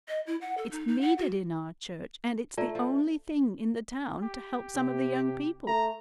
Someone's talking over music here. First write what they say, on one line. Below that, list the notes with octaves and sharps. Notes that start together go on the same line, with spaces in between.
It's needed in our church, and it's the only thing in the town to help some of the young people.
D#5
E4
F#5
A4
D#4
D#4
F#5
F#4
A3 F4 D5 A#5
F3
G4
C3
A3 A#5